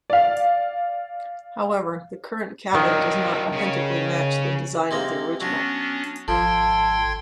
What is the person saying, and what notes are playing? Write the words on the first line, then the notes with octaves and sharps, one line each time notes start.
However, the current cabin does not authentically match the design of the original.
D5 F5
D#3 F#3 D4
C#3 C#4
C3 G#3 A#3
F#3 B3 C#4 D4
G#1 F3 A4 G5 C6 G#6